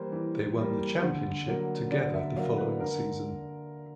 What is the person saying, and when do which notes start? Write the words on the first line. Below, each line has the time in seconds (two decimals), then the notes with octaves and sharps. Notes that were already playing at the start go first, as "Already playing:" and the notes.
They won the championship together the following season.
Already playing: E3 G3 A#3 C5
0.12 E3
0.57 G3 A#3
1.03 D3
1.47 F#3 A#3
1.91 D3 D5
2.14 E5
2.36 F#3 A#3 F5
2.58 B4
2.80 D3 A#4